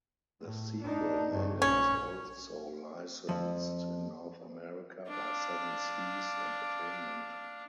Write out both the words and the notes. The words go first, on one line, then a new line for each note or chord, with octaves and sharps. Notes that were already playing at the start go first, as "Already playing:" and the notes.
The sequel manga is also licensed in North America by Seven Seas Entertainment.
A2
D4 D#4
G2 C#3
A#1 C#4
F2
D4 F5